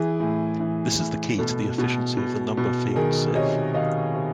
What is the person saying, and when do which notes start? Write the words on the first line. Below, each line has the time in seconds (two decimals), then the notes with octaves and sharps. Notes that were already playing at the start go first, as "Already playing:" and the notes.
This is the key to the efficiency of the number field sieve.
Already playing: E3 G#4
0.20 A2
0.60 E3
0.99 A2
1.38 B2 A4
1.78 B2
2.17 B2
2.57 B2
2.96 D#3 G#4 A#4
3.35 C3 C#5 D#5
3.74 D#3 D#5 F5
4.14 C3